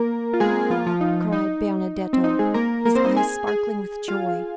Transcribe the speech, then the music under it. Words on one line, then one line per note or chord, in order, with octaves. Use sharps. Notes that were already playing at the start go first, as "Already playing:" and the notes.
"Ah," cried Benedetto, his eyes sparkling with joy.
Already playing: A#3 A#4
F4
G#3 G#4
F3 F4
F3 F4
D#4
D#4
C4
D#4
G#3 G#4
A#3 A#4
A#3 A#4
C4 C5
D#4 D#5
G#4 G#5
G#4 G#5
F4 F5